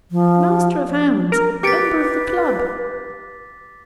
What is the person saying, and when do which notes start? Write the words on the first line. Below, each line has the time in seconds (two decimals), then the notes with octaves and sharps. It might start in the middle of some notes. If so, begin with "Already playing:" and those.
Master of hounds! member of the club!
0.11 F3
1.32 A#4
1.63 G4 B4 D6 A6 B6 C#7 D7